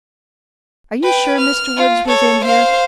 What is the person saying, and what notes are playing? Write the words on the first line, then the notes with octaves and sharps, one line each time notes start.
"Are you sure Mr. Woods was in here?"
B4 G5
F6
F4
A4 C#5
C5 F5